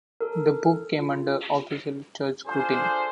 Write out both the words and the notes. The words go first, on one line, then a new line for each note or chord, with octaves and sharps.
The book came under official Church scrutiny.
A4 A#4
F4
D4 F4 G#4 A4 C5